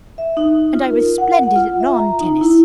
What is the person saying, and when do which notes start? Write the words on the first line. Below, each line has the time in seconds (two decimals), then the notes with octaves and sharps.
"And I was splendid at lawn tennis."
0.18 E5
0.37 D#4
0.74 F4
0.90 A#4
1.18 F#5
1.43 F#5
1.56 F4
1.80 E5
1.96 A#5
2.21 D#4
2.41 E4